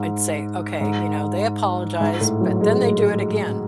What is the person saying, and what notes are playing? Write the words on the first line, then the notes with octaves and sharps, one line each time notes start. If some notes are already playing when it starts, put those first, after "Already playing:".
I'd say, "Okay, you know, they apologized, but then they do it again,"
Already playing: G#2
G#2
G#2
A2
F#3
G#3